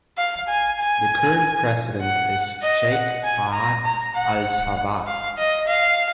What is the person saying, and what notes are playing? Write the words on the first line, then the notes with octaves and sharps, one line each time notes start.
The current president is Sheikh Fahad Al-Sabah.
F5
G#5
G#5
F#5
D#5
F#5
G#5
A#5
A#5
F#5
F5
D#5
F5